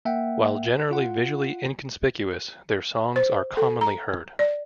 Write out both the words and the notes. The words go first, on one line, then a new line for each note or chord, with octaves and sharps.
While generally visually inconspicuous, their songs are commonly heard.
A#3 E5 F#5 G5
F4 F#5
C5
A4
A#5
D5